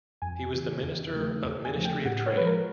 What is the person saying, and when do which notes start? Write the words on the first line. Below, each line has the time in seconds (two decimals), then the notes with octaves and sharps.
He was Minister of Ministry of Trade.
0.22 F2 G#5
0.53 C#3 E3
0.83 E2
1.13 C#3 F3 A3
1.44 E2
1.65 G#5
1.75 C#3 F3 A3
1.85 G5
2.05 A2 F#5
2.26 C#5
2.36 F3 G#3 B4
2.46 A#4